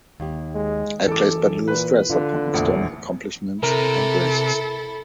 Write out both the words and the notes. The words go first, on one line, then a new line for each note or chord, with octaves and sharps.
I place but little stress upon external accomplishments and graces.
D#2 G4
G#3
F#1 E3 A4 D6
A#2 B4
D3 F4
F1 A#1 E2
C3 E4 A4 A#4 A#5